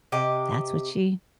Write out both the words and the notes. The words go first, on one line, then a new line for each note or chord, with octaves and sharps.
that's what she
C3 G4 D#5